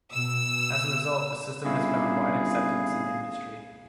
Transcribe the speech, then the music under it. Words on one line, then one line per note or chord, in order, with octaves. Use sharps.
As a result, the system has found wide acceptance in industry.
B2 E6
G1 C2 C#3 E4 G#4 F5